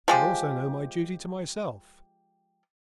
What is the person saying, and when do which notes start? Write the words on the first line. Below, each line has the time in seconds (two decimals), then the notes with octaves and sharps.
I also know my duty to myself.
0.08 F3 G#3 G4